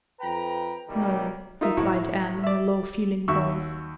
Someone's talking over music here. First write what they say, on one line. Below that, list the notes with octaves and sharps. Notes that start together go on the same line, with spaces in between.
"No," replied Anne, in a low, feeling voice.
F2 B4 G5 A#5
B2 D#3 G3 A3 A#3
D#4 F4 A#4 D#5 E5
A2 F3 E4 F#4
D5 E5
D#2 F#4 E5 C#6 E6